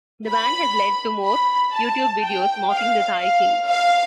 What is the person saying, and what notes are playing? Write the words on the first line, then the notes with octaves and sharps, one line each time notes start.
The ban has led to more YouTube videos mocking the Thai king.
B5
B5
A5
G5
F5
F5
F5